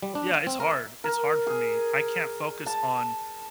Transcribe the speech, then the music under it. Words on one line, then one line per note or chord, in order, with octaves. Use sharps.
Yeah, it's hard, it's hard for me. I can't focus on,
G3
D4
F5
C4
A#4
E5
A#4
G#4
A5